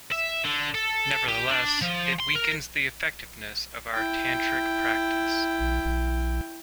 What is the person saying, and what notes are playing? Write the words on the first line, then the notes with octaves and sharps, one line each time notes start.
Nevertheless, it weakens the effectiveness of our tantric practice.
E5
D3
A4
G4
D4
F3
C6
A#4
E4 G5